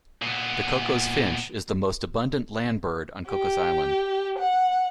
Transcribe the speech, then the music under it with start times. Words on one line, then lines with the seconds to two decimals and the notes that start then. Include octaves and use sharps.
The Cocos finch is the most abundant landbird on Cocos Island.
0.22 A#2 B3
3.29 G4
4.39 F#5